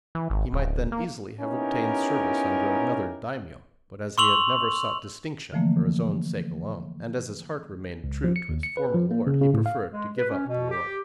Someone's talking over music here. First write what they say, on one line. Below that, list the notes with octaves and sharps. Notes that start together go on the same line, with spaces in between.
He might then easily have obtained service under another daimyo; but as he had never sought distinction for his own sake alone, and as his heart remained true to his former lord, he preferred to give up the world.
E3
G#1
D1
A#3
B3 C#4 D#4 E4 G4 A#4
C6 C#6 E6 F7 F#7
D3 E3 F3 A3 A#3
C#2
F3
C#7
D#2
C#7
B4
F3
A#3
C#3
C#3
A2
F5
G#3
B4
C#4
B2
G4